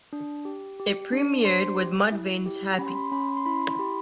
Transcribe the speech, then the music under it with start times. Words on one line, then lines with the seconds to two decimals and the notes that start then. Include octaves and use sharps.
It premiered with Mudvayne's Happy?
0.13 D4
0.45 G4
0.80 G4
1.12 D4
1.45 D4 C5 C6
1.79 G4
2.12 E4
2.46 G4
2.78 C#4 B5
2.87 C6
2.96 B5
3.03 C6
3.12 C#4 B5
3.21 C6
3.29 B5
3.37 C6
3.46 E4 B5
3.54 C6
3.62 B5
3.71 C6
3.79 G4 B5